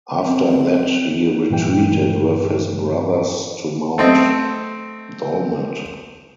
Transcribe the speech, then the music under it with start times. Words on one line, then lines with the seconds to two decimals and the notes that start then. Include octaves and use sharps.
After that he retreated with his brothers to Mount Dolmed.
0.23 C4
1.50 G2 A#2 E3 G5
3.98 A3 C4 D#5